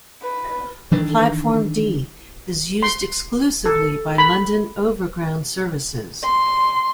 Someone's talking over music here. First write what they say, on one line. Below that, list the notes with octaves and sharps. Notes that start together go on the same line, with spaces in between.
Platform D is used exclusively by London Overground services.
B4
D#3 E3 D4
C6
A4
B5
C6